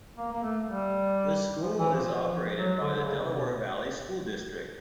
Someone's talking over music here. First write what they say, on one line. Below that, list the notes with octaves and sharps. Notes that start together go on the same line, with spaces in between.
The school is operated by the Delaware Valley School District.
A#3
A#3
A3
G3
F3
E3
F3
F#3
D3
D3
C#3
C3
B2